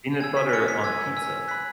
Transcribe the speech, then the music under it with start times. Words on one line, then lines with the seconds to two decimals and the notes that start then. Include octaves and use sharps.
Peanut butter on pizza?
0.21 G#5 E6 G#6
0.37 B6
0.49 B6
0.53 G#5 E6 C#7
0.68 B6
0.84 G#5 E6 G#6
1.17 G#5 E6
1.48 B5 F#6 B6